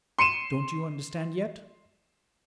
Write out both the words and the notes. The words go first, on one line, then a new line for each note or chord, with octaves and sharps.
"Don't you understand yet?"
C6 C#7 D#7 E7